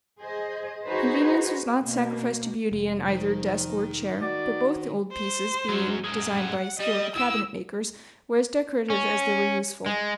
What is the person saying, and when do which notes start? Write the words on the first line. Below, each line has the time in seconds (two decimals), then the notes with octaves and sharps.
Convenience was not sacrificed to beauty in either desk or chair; but both the old pieces, being designed by skilled cabinet-makers, were as decorative as they were useful.
0.20 G#4 C5 D#5
0.84 D#4 F#4 G#4 B4 C5
1.78 B2 A#3
2.71 F1
3.08 D#3 F3
4.22 F#4 D5
5.12 C5
5.69 F#2 F#3
6.04 F#2 G#3
6.35 F#5
6.79 G3 D#5
7.16 E4 G5 E6
8.90 C#4
9.86 G#3